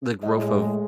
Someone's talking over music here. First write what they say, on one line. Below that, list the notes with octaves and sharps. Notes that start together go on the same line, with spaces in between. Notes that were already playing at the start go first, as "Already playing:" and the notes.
the growth of
A2 G#3 D#5